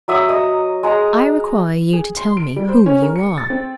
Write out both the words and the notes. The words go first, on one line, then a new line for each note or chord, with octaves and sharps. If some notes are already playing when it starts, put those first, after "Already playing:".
I require you to tell me who you are.'
F#3 E5 D#6
D#5 A#5
G#3 A#5
G#4
C6
D7
G3
C5
C#4
A#4
C#7
A6
C4